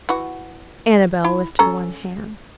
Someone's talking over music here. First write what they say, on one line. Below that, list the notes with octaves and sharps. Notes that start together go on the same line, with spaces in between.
Annabel lifted one hand.
E3 F#4
E4
C#4 A4 A#5